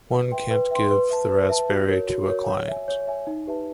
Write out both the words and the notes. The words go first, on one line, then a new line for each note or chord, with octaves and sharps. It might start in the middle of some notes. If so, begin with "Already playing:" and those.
One can't give the raspberry to a client.
B4
E5 G5 C6
B4
E5 G5 C6
B4
E5 A5
B4
E5 A5
F#4
A#4 C#5
F#4
A#4 C#5
C#5
E5 G#5
C#5
E5 G#5
D#4
G4 B4 E5 A5